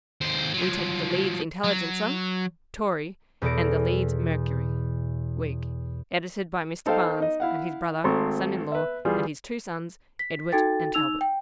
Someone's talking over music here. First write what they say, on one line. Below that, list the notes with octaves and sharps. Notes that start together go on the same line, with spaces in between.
We take the 'Leeds Intelligencer,' Tory, and the 'Leeds Mercury,' Whig, edited by Mr. Baines, and his brother, son-in-law, and his two sons, Edward and Talbot.
D#2 C5
F3 F#3
F#3
E2 B2 A4 A#6 D7
D#4 A4 C5 F5 G5
D#4 D#5
E4 F5 F#5
G#1 A3 C4 A#5 C6 C#6
B4 E5
E3 G3 F4 G#4
B6
D#4 F#4 A4 G5 A6
D#4 E6 F7
G5